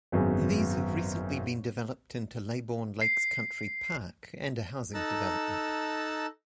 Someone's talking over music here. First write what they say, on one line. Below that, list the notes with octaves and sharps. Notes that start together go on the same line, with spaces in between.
These have recently been developed into Leybourne Lakes Country Park, and a housing development.
G#1 F#2 B3 G#4
C7
D#4 A4 A5 A#5 E6 F#6